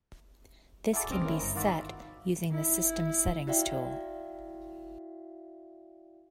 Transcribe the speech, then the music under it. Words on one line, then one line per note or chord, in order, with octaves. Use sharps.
This can be set using the System Settings tool.
E4 F#4 G#4 A4 D5
C#2 C4 D#5 D6 F6
E3 A#3 C#4 E4
G1 A#5
D#3 F4 F#4 D5 E5 B5
E4
E4 F#4 D5 E5 F5 G5